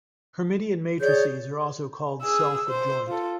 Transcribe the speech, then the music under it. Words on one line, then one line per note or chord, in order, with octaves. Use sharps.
Hermitian matrices are also called self-adjoint.
G#4 C#5 D5 G6
G#4 E6
C5
F4 A4